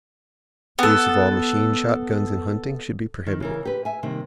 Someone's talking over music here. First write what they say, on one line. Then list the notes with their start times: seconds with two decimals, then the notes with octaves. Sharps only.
The use of all machine shotguns in hunting should be prohibited.
0.79 B3 A4
3.27 D#3
3.40 C#3 E3 A#4
3.65 G4 B4
3.85 E5 G#5
4.03 C3 D#3 G3 A#3